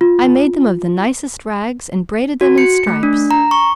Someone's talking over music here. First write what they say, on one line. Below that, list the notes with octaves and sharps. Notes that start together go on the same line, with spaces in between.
I made them of the nicest rags, and braided them in stripes.
F4
F#4
C#7
A3
D4
A#5
C#6